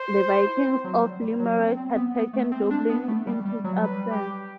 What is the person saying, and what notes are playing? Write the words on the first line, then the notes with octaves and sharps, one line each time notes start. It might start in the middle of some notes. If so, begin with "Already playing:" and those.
The Vikings of Limerick had taken Dublin in his absence.
Already playing: C5
E4
C4
F#3
G3
G3
F#3
C4
C4
B3
B3
A3
C4
D4
B3
A3
G3
G3
F#3
G3 B4
G4